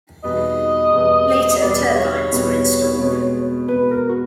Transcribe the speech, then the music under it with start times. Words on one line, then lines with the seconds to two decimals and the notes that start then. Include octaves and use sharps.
Later turbines were installed.
0.23 E2 B2 G3 B3 D#5
0.92 E2 B2 G3 B3
1.51 D#5
1.62 E2 B2 G3 B3 D5
1.96 C#5
2.30 E2 B2 G3 B3
2.99 B2 G#3 B3
3.68 B2 G#3 B3 B4
3.91 A#4
4.09 F#4